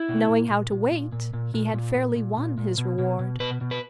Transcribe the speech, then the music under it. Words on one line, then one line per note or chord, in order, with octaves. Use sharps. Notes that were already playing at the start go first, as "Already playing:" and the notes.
Knowing how to wait, he had fairly won his reward.
Already playing: E4
B2
A#2
A#2
A#2
A#2
A#2
A#2
A#2
A#2
A#2
A#2
A#2
A#2
B2
B2
B2
B2 B4
B2
B4